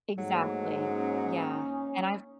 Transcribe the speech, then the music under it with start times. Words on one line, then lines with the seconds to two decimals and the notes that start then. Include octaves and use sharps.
Exactly, yeah. And I've
0.18 G#2 F#3 A3 A#3
0.88 A#3 C#4 D#4